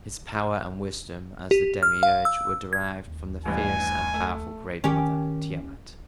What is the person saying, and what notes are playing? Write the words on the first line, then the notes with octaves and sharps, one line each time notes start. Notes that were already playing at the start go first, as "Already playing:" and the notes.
His power and wisdom as the Demiurge were derived from the fierce and powerful Great Mother, Tiamat.
G4
F6
F5
E6
G#6
D#2
A1 G2 G#5
A3
D#3 C#4 G4